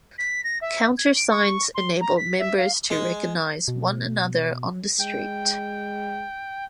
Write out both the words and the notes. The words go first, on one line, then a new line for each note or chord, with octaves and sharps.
Countersigns enabled members to recognize one another on the street.
B6
A#6
E5
G#6
D7
C#6
C6
A#5
B6
E5
F5
G#3
B2
G#3 G5